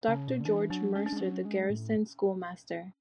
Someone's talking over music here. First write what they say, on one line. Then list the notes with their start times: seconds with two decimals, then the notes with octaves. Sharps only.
Doctor George Mercer, the Garrison schoolmaster.
0.08 C#3 C#4
0.28 B2
0.41 D3
0.45 E3 D4
0.70 F#3 D4
0.95 G#3 C#4
1.06 D4
1.12 G#3
1.17 F#3 C#4
1.45 G#3
1.70 A2